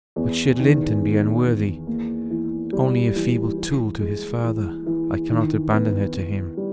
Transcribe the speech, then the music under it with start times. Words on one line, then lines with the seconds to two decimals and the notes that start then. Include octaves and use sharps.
But should Linton be unworthy--only a feeble tool to his father--I cannot abandon her to him!
0.16 E2
0.60 D#3
1.02 D#3
1.44 E2
1.87 A#3
2.30 E3
2.73 G3
3.16 E3
3.58 E3
4.00 G#3
4.43 E3
4.86 E3
5.29 D#3
5.72 B3
6.15 B3
6.57 G3